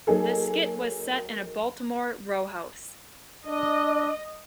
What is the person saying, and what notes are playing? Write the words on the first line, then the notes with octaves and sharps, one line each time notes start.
The skit was set in a Baltimore row house.
F#3 A#3 D#4 G#4 A4
D4 D#5